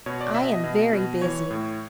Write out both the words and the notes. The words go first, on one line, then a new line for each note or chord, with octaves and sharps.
I am very busy.'
B2 C#5
D5
B2 E5
D#5
B2
B2
E3 C#5
A2